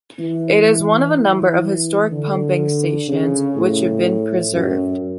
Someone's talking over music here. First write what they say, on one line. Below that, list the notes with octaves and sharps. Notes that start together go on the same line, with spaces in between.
It is one of a number of historic pumping stations which have been preserved.
E3
E3
D3
C#3
A2
F#2